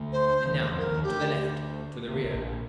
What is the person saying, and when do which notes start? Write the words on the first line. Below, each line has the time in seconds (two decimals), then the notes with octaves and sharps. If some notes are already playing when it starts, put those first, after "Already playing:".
And now--to the left! to the rear!
Already playing: D2 D3
0.13 C5
0.46 F3
0.51 D#2 D#3
0.70 F2 F3
0.78 A#4
0.86 F3
0.90 D#2 D#3
1.03 G4
1.10 D2 D3
2.08 C3
2.16 D3
2.24 C2 C3
2.34 A#1 A#2